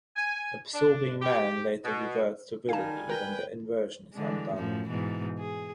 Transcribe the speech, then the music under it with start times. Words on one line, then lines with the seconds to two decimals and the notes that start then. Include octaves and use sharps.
Absorbing Man later reverts to villainy when the inversion is undone.
0.16 G#5
0.74 D4
1.22 G4
1.85 B2
2.69 D#3 G3 F5 G#5 A5
3.09 A#4 B4 G5
4.14 D3 E3 G#3
4.55 F#2 A2 F3
4.88 G#2 B2 E3
5.39 G#4